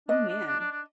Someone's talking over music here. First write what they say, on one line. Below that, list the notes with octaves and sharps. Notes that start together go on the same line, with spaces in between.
Oh man,
D4 D#5
D4
D4
D4
D4